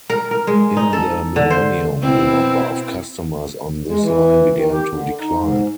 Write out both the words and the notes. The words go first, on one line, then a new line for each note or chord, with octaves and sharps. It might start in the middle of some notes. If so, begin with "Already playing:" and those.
In the millennium, the number of customers on this line began to decline.
A#4
A#4
G#3
D#4
A4
D3
C5
B2 C4 E4
G#3
E3
D#3
G4
D3
D#4
G#2